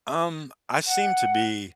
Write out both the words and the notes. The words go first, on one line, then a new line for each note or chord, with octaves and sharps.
Um, I seem to be,
F#5